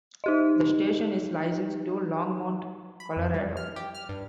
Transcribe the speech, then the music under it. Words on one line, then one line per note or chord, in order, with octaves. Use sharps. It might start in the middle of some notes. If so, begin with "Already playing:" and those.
The station is licensed to Longmont, Colorado.
D#4 G4 D#5
B5
F2
G3
F6
G4
F6
G2